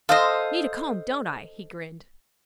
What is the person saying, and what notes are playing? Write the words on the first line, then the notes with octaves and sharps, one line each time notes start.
"Need a comb, don't I?" he grinned.
A4 C5 D#5 F5 D#6